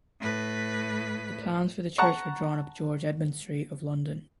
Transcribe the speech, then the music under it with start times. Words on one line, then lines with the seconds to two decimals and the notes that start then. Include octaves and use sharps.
The plans for the church were drawn up George Edmund Street of London.
0.21 A2 B4
1.98 F#5 A5 A#5 C#6